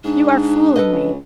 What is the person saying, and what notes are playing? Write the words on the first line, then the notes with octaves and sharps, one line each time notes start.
"You are fooling me."
G#2 D4
A4 B4 D#5
C#2